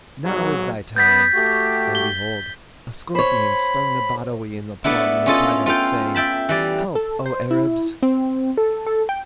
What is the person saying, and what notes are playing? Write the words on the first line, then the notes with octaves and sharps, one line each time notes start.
Now is thy time!" And behold, a scorpion stung the Badawi in the palm and he cried out, saying, "Help, O Arabs!
B1 G#2 F#3
B3 G6 A6 B6
A3 F#4 G4
G7
C5 C#5 B5
A3 B3 D4 E4
C#4 E4 F4 A4 D#5
F4 A4 F5 G5
E5 G5 A5 B5
E3 G3 D5
A4
C5
E4
C4
A4
A4
G5